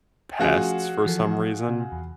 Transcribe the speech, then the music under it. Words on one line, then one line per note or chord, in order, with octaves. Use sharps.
pests for some reason.
F3 A3 C#4 F4 F#4 G#4
E3 F3 A4
C3
E2